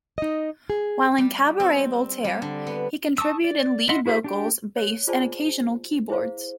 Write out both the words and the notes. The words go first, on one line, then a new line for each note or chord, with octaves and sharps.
While in Cabaret Voltaire, he contributed lead vocals, bass and occasional keyboards.
D#4 D#5
G#4
G3
C4
G3
D3
B3
A5 C#6 D#6 E6
D5
E4 D#5 F#5 C6
E4 F#4 G#4 C5 E5
D4 G4 G5
C#5
F4 G#4 C5 D5 G#5 A5
E4 G#4 C5 F5